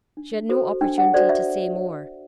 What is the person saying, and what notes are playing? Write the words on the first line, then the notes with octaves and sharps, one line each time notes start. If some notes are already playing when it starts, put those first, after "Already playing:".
She had no opportunity to say more.
D4
F#4 A4 C5
D4 G5
F#5
F#4 A4 C5 D5
E5